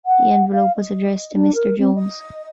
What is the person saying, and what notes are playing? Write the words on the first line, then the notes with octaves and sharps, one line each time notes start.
The envelope was addressed to Mr Jones.
F#5
F5
D#5
D4
A#4
C4
D#5